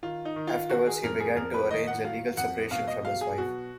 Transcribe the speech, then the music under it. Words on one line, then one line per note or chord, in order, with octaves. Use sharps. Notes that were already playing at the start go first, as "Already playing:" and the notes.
Afterwards, he began to arrange a legal separation from his wife.
D#3 F4
D#4
D#3
F4
D#3 F#4
G#4
F2 A#4
G#4
F2 A#4
B4
D#3 D#5
F#5
F#3 F5
F2 F#5
B2 F5
D#5
F#3 F5
G#4
B2 F#4